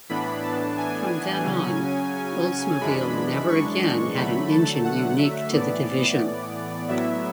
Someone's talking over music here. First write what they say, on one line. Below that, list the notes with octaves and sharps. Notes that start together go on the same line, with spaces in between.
From then on, Oldsmobile never again had an engine unique to the division.
A2 E3 B3 D4 B5
A5
G#5
C#3 F#3 C#4
F#2 E3 G#3 D4 B5
C#6
D3 F#3 A3 B5
A5
F#5
E5
A2 E3 B3 D5
A2 F#3 B3 E4 E5